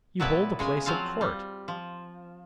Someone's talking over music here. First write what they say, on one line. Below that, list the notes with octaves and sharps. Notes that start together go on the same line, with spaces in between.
You hold a place at court.
A#2 F#3 B3 E4 B4 A5
C#3 G#3 G#5
F3 F#3 C4 F4 F5
G3
F3